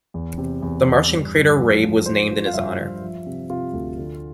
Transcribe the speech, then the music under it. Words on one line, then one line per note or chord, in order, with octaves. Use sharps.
The Martian crater "Rabe" was named in his honor.
E2
C3
E2
E2
G2
G2
F3
F3
F3 C5
F3
F5
G2 E5
F3
F3
C3
C3 F4
D2
D3